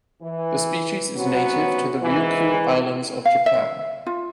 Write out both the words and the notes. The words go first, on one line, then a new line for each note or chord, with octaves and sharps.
The species is native to the Ryukyu Islands of Japan.
E3
C3 F#3 B3 C#4 F#4
G#2 E3
F5
E5
F4